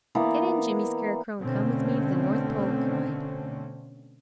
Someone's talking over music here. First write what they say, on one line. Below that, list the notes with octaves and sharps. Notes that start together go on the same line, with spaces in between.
"Get in, Jimmy Scarecrow, and come with me to the North Pole!" he cried.
E3 A#3 B3 D5
B2 D3 A3 C4 C#4